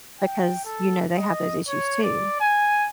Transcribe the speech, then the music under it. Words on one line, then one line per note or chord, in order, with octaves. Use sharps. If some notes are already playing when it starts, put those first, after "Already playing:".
because you know they have those issues too.
G5
A4
D#5
C#5
D5
G#5